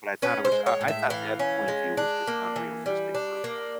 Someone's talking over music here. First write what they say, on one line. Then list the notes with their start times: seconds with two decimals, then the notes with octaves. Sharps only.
But I thought it was I I thought that point of view was just unrealistic for a point.
0.22 C#4 B4
0.45 C5
0.52 G#3
0.66 C#5
0.81 A2
0.88 E5
1.10 E3 F5
1.39 C#4
1.68 G#3
1.97 D4
2.27 A#3
2.56 E3
2.86 G3
3.15 D4
3.44 A#3